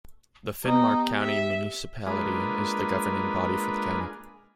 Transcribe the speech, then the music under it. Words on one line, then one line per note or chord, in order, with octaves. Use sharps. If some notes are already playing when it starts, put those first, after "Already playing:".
The Finnmark County Municipality is the governing body for the county.
B3 D#4 G4
E5
G#3 A#3 D4 F4 G#4 B4